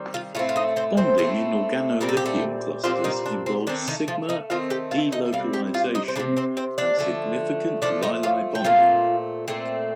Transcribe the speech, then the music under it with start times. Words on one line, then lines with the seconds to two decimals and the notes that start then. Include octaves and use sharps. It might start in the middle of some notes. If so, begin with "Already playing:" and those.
Bonding in organolithium clusters involves sigma delocalization and significant Li-Li bonding.
Already playing: D#3 G3 C4
0.14 F4 F5
0.35 A2 A3 C4 F4 F5
0.49 F5
0.56 D#4 D#5
0.76 C4 C5
0.97 C4 C5
1.18 A2 A3 C4
2.01 A#2 G3 C4 A#4
2.09 A4
2.17 G4
2.26 A3 A4
2.84 A#2 F3 G3 C4 F4
3.04 D#3 D#4
3.26 D4
3.46 C4
3.67 D#3 A3 C4 D4
3.88 D#3 D#4
4.08 F3 F4
4.29 D#4 D#5
4.50 D#3 A3 C4 F4 F5
4.70 G4 G5
4.91 F4 F5
5.12 D#4 D#5
5.33 C3 G3 C4 F5
5.53 G4 G5
5.74 F4 F5
5.95 D#4 D#5
6.08 C5
6.16 G3 C4 D4 D5
6.19 C3
6.37 C4 C5
6.57 C4 C5
6.78 D4 D5
6.99 D3 F3 A3
7.82 D3 F3 A3 D4 D5
8.03 D#4 D#5
8.23 F4 F5
8.55 G5
8.64 A#2 A3 C4 F4 F5
9.48 A#2 A3 C4